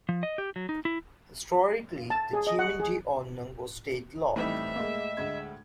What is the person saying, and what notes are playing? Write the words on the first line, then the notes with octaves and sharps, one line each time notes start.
Historically, the Gemeindeordnung was state law.
F3
D#5
G4
F#3
D#4
E4
A5
G#4
D#5
F#5
G#4
A2 E3 G3 C4 D#4 E5
G#3 A#3 D#5
D2 G#3 G#6